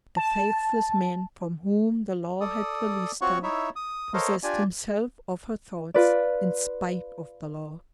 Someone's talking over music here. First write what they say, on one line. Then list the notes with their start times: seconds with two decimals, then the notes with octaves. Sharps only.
The faithless man from whom the law had released her, possessed himself of her thoughts, in spite of the law.
0.17 A5
2.41 A4 D5 D#6
3.21 C4 F4 F#4 C#5 F#5 C#6
3.43 D#4 E4 C#5 E5
3.76 D#6
4.14 A4 A#4 C5 C#5 D#5 F5
4.43 D4 F4 G4 D5 G#5
5.94 F4 B4 D5